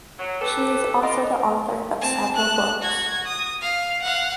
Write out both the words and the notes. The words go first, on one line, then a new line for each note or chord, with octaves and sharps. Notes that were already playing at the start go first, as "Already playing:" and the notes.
She is also the author of several books.
F#3
C4 G4 A4 B4
F4 D5 D#5
C4 A5
A5 F#6
F#4 G#6
D#6
F5
F5 F#5